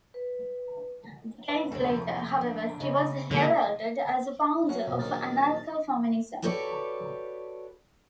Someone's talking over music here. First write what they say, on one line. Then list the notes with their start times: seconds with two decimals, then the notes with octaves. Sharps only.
Decades later, however, she was heralded as a founder of anarcha-feminism.
0.14 B4
1.48 B4 E5
1.72 D2 C3 A4
1.86 F2
2.41 D4
2.80 C#3 C#5 D#5 E5
3.31 D3 G#3 A#3 F#4 A#4
4.69 F#3 C#4 F#5
4.87 F2 B2
4.99 A#1 D#3 A6
6.42 F#4 G4 A4 B4 C#5 D5